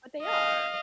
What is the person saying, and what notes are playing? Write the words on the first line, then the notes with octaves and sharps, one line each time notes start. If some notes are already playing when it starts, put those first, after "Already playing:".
But they are.
D#5 F5